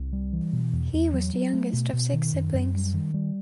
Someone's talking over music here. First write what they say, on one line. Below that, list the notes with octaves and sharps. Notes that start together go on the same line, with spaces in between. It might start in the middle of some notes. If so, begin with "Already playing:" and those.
He was the youngest of six siblings.
Already playing: C2
G3
E3
B2
E2
E2
F#3
F#3
A3
B2
B2
D#3
F#2
F#2
G3
D#3
G3